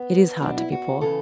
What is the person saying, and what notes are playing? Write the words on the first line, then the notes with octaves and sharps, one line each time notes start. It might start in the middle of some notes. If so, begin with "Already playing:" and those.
It is hard to be poor.
Already playing: B3
B2 F#3 D4
E4
F#4
C#3 E3 A4